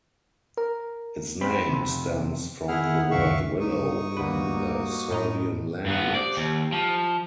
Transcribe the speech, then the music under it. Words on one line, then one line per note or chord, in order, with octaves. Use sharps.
Its name stems from the word "Willow" in the Serbian language.
A#4
C4 B5
F2 C3
D#3 E4 G#4 F#5 F6
C#2 F#2 C3 E5 F5 C#6
G2 D#4 C#6 D#6
D2 A#3 F#4 B4
A2 D#5 A#5
G2 B3
G4 C5 D5
D#2
F3